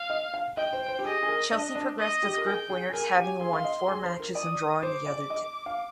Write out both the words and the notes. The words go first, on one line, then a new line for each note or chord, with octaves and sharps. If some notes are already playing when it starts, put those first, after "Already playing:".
Chelsea progressed as group winners having won four matches and drawing the other two.
Already playing: F5
D#5
F5
D#5 G5
C5
C5
G4
G#4 D#5
G#4
A#4
D4
D4
D#5
G4
A#4
G#4 G5
G#4
G#4
A#4 G#5
G4
G#4 C6
F5
D#5
G#4
C5
A#4
D5 D#6
C5 D6
D5
D#5
F5